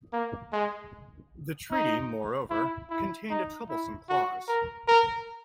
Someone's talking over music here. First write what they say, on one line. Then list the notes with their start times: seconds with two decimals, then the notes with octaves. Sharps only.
The treaty, moreover, contained a troublesome clause.
0.13 A#3
0.53 G#3
1.72 D#4
2.51 E4
2.90 E4
3.30 D#4
3.69 E4
4.09 F#4
4.48 A#4
4.88 A#4